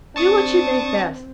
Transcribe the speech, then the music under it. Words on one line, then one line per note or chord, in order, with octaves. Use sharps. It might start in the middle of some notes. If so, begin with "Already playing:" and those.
Do what you think best.
C4 D4 A5 C#6 D#6